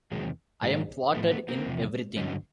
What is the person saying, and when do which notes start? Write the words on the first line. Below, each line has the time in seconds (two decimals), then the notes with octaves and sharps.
I am thwarted in everything.
0.11 E2 C3 D#3 F#3 G#3
0.62 G#2 D#3 F#3 G#3 A#3
1.14 A2 F3 A3 B3
1.31 A3 B3
1.48 A#3 C4
1.66 E2 C3 F3
2.17 G2 D3 F#3 C#4 D#4